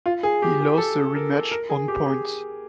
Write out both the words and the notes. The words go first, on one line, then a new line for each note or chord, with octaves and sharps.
He lost the rematch on points.
F4
G#4
G4
G#4
A4
A#4
A#4
G#4
G4
G#4